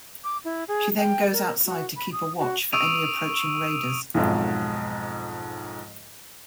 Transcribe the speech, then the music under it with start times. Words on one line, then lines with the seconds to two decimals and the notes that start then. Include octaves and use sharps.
She then goes outside to keep a watch for any approaching raiders.
0.24 D6
0.44 E4
0.68 G#4
0.97 G5
1.32 A#4
1.66 F#4
1.96 B5
2.12 D#6
2.39 F#4
2.72 C#6 D#6 E6 D7 D#7 F7
4.14 B1 F2 G#2